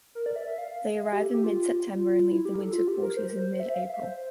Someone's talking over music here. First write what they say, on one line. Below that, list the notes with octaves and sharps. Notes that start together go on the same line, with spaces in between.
They arrive in mid-September and leave the winter quarters in mid April.
A#4
D5
E5
E5
F5
E5
G4
A4
G4
F4
E4
G4
A#4
A4
F4
G4
A#4
C5
E5
F5
E5
C5